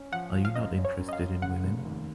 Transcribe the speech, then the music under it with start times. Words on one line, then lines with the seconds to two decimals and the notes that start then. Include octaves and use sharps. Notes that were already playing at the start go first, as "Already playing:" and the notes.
Are you not interested in women?
Already playing: C#4
0.12 F3 F#5
0.35 F3
0.45 F5
0.56 F#2 D#5
0.78 C#4
0.85 C#5
0.99 F#2
1.09 D#5
1.13 F5
1.20 F#2
1.42 C#3 F#5
1.64 F1
1.85 D#2